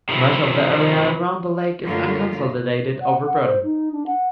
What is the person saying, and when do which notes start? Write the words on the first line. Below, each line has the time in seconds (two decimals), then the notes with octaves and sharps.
Much of the area around the lake is unconsolidated overburden.
0.09 C3 D#3 F3 E4
1.83 F#2 D3 F#3 A3 A#3 F4
3.02 F#5
3.26 F#5
3.41 C5
3.63 D#4
3.93 D4
4.06 F#5